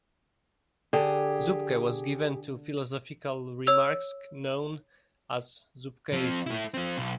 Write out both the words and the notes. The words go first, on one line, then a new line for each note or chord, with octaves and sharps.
Zuppke was given to philosophical remarks, known as Zuppkeisms.
D3 G4 G#4
C#5 E6 F7
F3 C4
A3 E4
F3 C4
B1